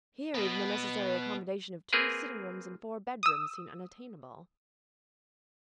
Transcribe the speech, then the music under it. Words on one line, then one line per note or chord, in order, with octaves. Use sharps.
Here, even the necessary accommodation of two sitting-rooms and four bed-rooms seemed unattainable.
B2 B3
A#3 C4 G#4 A#4 B4
D#6 E6